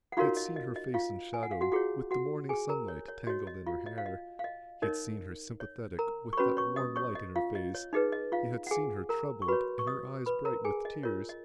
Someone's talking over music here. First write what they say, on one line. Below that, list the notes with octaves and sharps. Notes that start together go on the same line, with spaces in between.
He had seen her face in shadow, with the morning sunlight tangled in her hair, he had seen her sympathetic with that warm light in her face, he had seen her troubled and her eyes bright with tears.
F#5
D#4 F4 F#4 A#4 C#5 F5
D#5
D#5
D#5
F4 F5
G#5
F#5
F5
F#4 F#5
F4 F#4 G#4 C#5 F#5
F#4 F#5
G#4 G#5
A#4 A#5
C#5
C#5
F#4 C#5 D#5
D#5
F4 F5
D#5
F5
D#5
F5
D#5
D#4 A#4 C#5 D#5
C#5
A#4 A#5
C#6
C#4 F#4 B4 C#5 B5
C#5 C#6
D#5 D#6
C#5 C#6
D#5
F4 F5
D#5
C#5
D#4 G#4 B4 D#5
D#5
F4 F5
F#5
G#4 G#5
A#4 A#5
C#6
F#4 B4 C#5 B5
C#6
D#5 D#6
B4 B5
A#4 A#5
G#4 G#5
D#5
F4 A#4 C#5
D#5